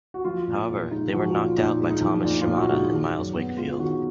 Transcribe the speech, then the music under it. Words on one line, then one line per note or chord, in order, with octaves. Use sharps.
However they were knocked out by Thomas Shimada and Myles Wakefield.
F#4
F3 F4
A#2
A#2
G#3 D#4
F3 F#4
A#2 F4
A#2 D#4
G#3
D#4
F3
A#2 D#4
F4
A#2
F#4
G#3
D#4
D#3
F#2
B3
G#3 F4
D#3 F#4